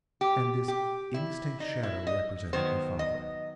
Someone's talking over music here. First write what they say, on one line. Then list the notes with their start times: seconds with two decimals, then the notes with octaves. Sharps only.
And this indistinct shadow represented her father.
0.21 G4
0.68 G4
1.14 E4
1.60 D#4
1.83 E4
2.07 D#5
2.53 D#3 F#3 B3 C5
2.99 D#5